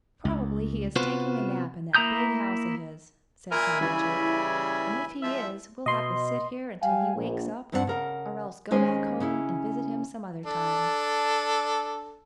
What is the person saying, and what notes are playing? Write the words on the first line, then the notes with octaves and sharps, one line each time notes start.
"Probably he is taking a nap in that big house of his," said Johnny Chuck, "and if he is we'll have to sit here until he wakes up, or else go back home and visit him some other time."
C#2
C3 B3 F4 F#4 B4 C5
A#3 E4 A#5 D#6 G6
A#2 A#4 E5 G#5 B5
C#3 E3 G3 E4
F3 G#3 E5
B2 D#5 C6
G3 F5 G5 G#5
A#1
E2 G2 C4 D4 A4 F#5
C#3 A#4 F#5
D#2 G#3 C#4 C5 G#5
C#3 C#4 E4
D4 A4